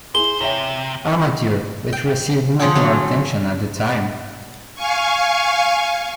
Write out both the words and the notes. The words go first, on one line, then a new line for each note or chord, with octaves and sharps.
Amateur, which received much more attention at the time.
E4 G#4 C5 G7
C3 C#5 E5 G5
G5
D3 F3 F4 G#4 A4 G5
F#3 A3 F4
F5 G#5 C#6